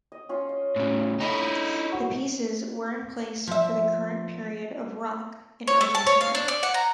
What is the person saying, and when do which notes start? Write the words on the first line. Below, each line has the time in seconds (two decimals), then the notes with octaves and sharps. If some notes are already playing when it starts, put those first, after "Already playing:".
The pieces were in place for the current period of rock in Argentina.
0.12 D#5
0.29 C#4 F4
0.49 D#5
0.76 A2 C#3
1.20 A3 D#4 E4 G#4
1.92 F#4 C5
3.47 F3 E5
5.67 C#5
5.81 A3
5.95 A5
6.06 C#5
6.21 F5
6.35 D4
6.48 D5
6.63 F#5
6.74 A#5